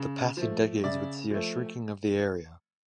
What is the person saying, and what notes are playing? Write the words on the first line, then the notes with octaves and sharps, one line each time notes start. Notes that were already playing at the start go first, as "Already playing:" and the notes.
The passing decades would see a shrinking of the area.
Already playing: C#3
F3 A3
C#3 D5 E5
F3 A3